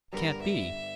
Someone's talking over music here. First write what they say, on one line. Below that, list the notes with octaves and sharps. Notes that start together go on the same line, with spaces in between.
Can't be.
G2 D3 G3 B3 A#4
E5